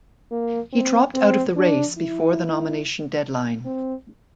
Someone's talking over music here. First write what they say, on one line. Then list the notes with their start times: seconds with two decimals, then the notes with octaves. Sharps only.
He dropped out of the race before the nomination deadline.
0.31 A#3
0.73 C4
1.14 C4
1.56 D4
1.98 E4
3.65 C4